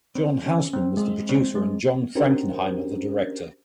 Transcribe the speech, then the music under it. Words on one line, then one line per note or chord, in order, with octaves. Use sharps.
John Houseman was the producer and John Frankenheimer the director.
C4
C#4
C4
G#3
C4
G#3
C#4 D4 F#4 G4 A#4 C5